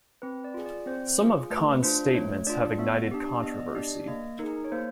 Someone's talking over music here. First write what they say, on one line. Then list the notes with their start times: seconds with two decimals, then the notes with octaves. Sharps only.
Some of Khan's statements have ignited controversy.
0.22 C4 B4
0.44 D5
0.54 F4 G#4
0.66 D5
0.86 C4 C5
1.18 F4 G#4
1.50 A3 B4
1.83 D4 F4 C5
2.14 A3 C#5
2.47 D4 F4 D5
2.79 B3 E5
3.11 D4 G4
3.43 B3 D#5
3.51 D5
3.59 D#5
3.75 D4 G4 D5
4.07 A#3 D#5
4.39 D#4 G#4 A#4
4.65 C#5
4.72 A#3 C5